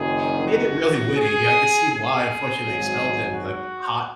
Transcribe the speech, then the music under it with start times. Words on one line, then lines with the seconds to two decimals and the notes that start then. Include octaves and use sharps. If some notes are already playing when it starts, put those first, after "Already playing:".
he made it really witty, I could see why, unfortunately, they expelled him. Be like, it hot
Already playing: F#1 F#2 D#3 G#4
0.46 F#4
1.17 G#4
1.90 G#4
2.62 G#1 G#2 F#3
3.34 F#4